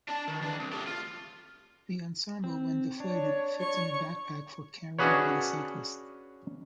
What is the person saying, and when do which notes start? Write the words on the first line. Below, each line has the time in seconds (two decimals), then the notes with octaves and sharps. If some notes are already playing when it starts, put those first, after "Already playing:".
The ensemble, when deflated, fits in a backpack for carrying by the cyclist.
0.09 D4 A5
0.28 D#3
0.42 E3 D4
0.59 C2
0.72 A3 G4
0.87 F4
2.44 C4
3.00 D4 C#5
3.60 C#5 C#6
4.99 C#4 D4 F#4 G#4 B4 C#5